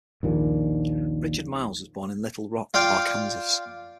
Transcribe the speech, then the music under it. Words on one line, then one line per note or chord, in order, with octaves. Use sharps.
Richard Miles was born in Little Rock, Arkansas.
A#1 D#2 A#2
F4 D5 F5 G5